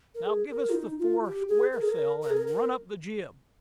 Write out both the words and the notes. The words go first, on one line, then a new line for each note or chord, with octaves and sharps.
"Now give us the fore squaresail, and run up the jib."
A#4
G#4
A#4
F4
D#4
F4
G4
G#4
A#4
G#4
A#4
A#4
G#4
A#4
A#4